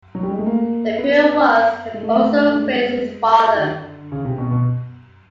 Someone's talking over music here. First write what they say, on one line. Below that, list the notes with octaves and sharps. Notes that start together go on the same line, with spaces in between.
The Purewas had also raised his father.
F#3
G3
G#3
A3
A#3
B3
G#3
A3
A3
G#3
D#3
D3
C#3
C3
B2
B2